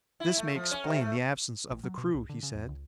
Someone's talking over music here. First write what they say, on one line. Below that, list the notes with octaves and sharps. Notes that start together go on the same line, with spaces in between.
"This may explain the absence of the crew," he said.
E4
A3
F3
C#4
C3
A3
A1
F#3
B2
C2
D3
C#3
E2
C#2